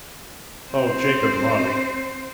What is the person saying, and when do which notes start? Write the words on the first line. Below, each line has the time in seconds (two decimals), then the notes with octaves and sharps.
O Jacob Marley!
0.71 C4 C5